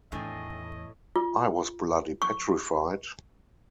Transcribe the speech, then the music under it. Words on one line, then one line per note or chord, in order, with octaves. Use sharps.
I was bloody petrified.
E2 A2 D#3 D4 G#4 D#5
F4
C#6